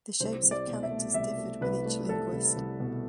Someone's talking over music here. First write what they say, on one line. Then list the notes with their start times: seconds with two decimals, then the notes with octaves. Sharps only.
The shapes of characters differed with each linguist.
0.20 C2 C5
0.43 C2
0.51 D5
0.67 B2
0.83 E5
0.91 A3
1.14 C2 E5
1.38 A3
1.61 C2 B4
1.85 A3
2.08 C2 A4
2.32 C2
2.56 C2
2.80 B2